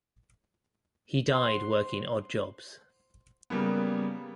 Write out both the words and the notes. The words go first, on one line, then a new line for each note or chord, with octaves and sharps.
He died working odd jobs.
C5 F#5 C6
C#3 G3 A#3 B3